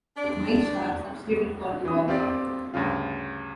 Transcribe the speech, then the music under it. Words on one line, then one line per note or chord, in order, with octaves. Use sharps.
Mike Sharpe substituted for The Warlord.
D4 D5
E3 D#6
C4 F4 G4 D5
D2 G2 C#3 F4